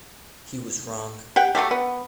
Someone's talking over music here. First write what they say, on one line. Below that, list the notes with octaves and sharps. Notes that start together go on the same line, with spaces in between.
He was wrong.
G4 F#5 G5
F#3 G#3 A3 G4
B3